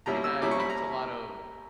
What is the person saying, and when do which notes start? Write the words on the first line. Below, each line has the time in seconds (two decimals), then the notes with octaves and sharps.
and I think it's a lot of
0.06 B2 G3 A#3 C#4 E4 A#5
0.24 E6
0.42 B2 G3 A#3 C#4 E4 D6
0.51 C#6
0.60 B5
0.70 A#5